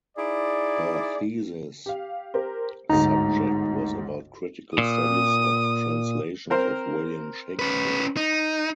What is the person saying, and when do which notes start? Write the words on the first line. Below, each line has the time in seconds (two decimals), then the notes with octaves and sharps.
Her thesis subject was about critical studies of translations of William Shakespeare.
0.18 D#4 E4 G#4 D5
1.86 G4 F5
2.34 G4 A#4 C5
2.90 G1 D2 G#2 D#4 A#5
4.78 A#2 D#6
6.50 C4 A#4 C5
7.59 C#4 B4
8.17 D#4